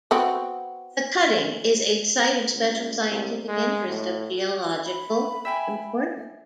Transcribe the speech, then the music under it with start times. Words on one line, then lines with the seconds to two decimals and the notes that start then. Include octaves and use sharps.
The cutting is a Site of Special Scientific Interest of geological importance.
0.11 B3 C4 F#4
2.53 C#2
3.10 C2
3.48 G#3
3.88 A2
4.85 B5
5.45 E5 G5 G#5